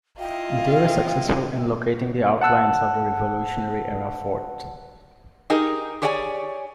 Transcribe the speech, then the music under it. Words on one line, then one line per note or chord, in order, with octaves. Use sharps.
They were successful in locating the outlines of the revolutionary era fort.
E4 F4 D#5 F5 G5
F#5 A5 E6 F#6
D#4 G4 G#4 A#4 D#5
G4 G#4 C#5 D5 F#5 G#5